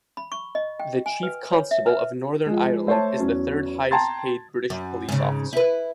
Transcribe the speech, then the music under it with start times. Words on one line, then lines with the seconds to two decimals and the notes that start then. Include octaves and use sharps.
The Chief Constable of Northern Ireland is the third-highest paid British police officer.
0.17 B5
0.32 C#6
0.55 D#5
0.80 G5
1.06 G#5
1.23 B4
1.51 C#5
1.71 E5
1.86 B4
2.46 F3 G#3
2.87 A3 C5 C#5 A5
3.19 E2 F#3 C#4
3.91 G5 A5 A#5 C6 G#6 A6
4.70 F#2
5.09 G#2 C#3
5.53 E4 B4